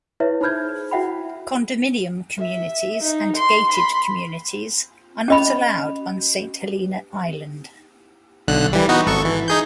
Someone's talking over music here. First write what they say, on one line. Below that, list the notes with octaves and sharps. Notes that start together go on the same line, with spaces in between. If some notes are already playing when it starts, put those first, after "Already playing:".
Condominium communities and gated communities are not allowed on Saint Helena Island.
E4 B4 C#5 E5
D#4 C5 B5 F6 G6 G#6
E4 F#4 E5 F#5 G5 B5
E5
D#4
C6
B5 C6
C#4 D#5 B5
B1 D3 F#6
E3 G3
B3 D#4 F#4
G#1 A4 C#6
E3
D#4 G#4 G6